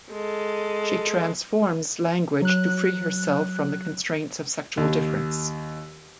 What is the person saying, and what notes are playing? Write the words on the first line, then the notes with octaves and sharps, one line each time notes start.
She transforms language to free herself from the constraints of sexual difference.
G#3 A4
F#3 F#6
D#2